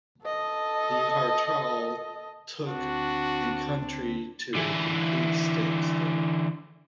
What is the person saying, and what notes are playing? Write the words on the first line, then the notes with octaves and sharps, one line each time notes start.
The Hartal took the country to a complete standstill.
A4 D#5
D2 C4 D4 F#4
D3 E3